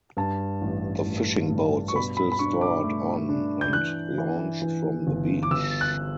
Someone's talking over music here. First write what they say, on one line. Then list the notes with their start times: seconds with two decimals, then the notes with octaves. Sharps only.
The fishing boats are still stored on and launched from the beach.
0.17 G2 A5
0.62 A1
1.06 A1
1.50 G2
1.88 C#6
1.95 B2 B5
2.17 B5
2.32 B5
2.39 D4 C#6
2.61 D6
2.84 A3
3.29 D4
3.61 G6
3.73 E3 F#6
4.18 E3
4.62 E3
5.07 G1
5.43 D6
5.51 G1 E6
5.81 F#6